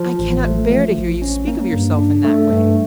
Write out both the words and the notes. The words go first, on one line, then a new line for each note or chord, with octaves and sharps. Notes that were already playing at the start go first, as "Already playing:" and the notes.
"I cannot bear to hear you speak of yourself in that way."
Already playing: F3
A1
A3
F3
A1
C#4
A#3
G2
D4
A3
G2